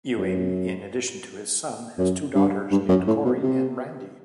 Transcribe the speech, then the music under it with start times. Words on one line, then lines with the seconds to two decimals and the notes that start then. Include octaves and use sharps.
Ewing, in addition to his son, has two daughters named Corey and Randi.
0.18 F#2
1.98 F#2
2.35 G2
2.71 G2
2.89 F#2
3.07 A2
3.25 B2
3.43 C3